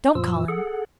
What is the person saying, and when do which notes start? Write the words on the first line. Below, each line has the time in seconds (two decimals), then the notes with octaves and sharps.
Don't call him.
0.15 F#2 A#2 F3 F4 E6
0.48 G#4 A4 F#5